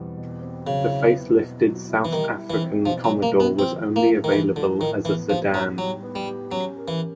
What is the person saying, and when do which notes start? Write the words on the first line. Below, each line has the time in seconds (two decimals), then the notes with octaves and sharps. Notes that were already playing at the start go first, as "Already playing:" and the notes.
The facelifted South African Commodore was only available as a sedan.
Already playing: E2 B2 G3 C4
0.17 B2
0.42 C4
0.66 C#3 F#3
0.90 E4
1.15 B3
1.39 B2
1.63 F#3
1.88 E4
2.05 E3
2.13 D#3 G3
2.37 E4
2.50 E3
2.61 C4
2.86 B2 F3
3.04 F#3
3.11 G3
3.23 A#3
3.34 E4
3.40 B3
3.59 F3 C4
3.83 A2
3.96 A#3
4.07 A3
4.24 D#3
4.32 A2 E3
4.56 D3 F3
4.81 A2 D#3
5.05 E3 B3
5.30 F3 G4
5.54 F#3 D#4
5.78 F#3 G3
6.03 B3
6.15 G3
6.27 G4
6.52 F#3 C#4
6.76 A#4
6.88 E3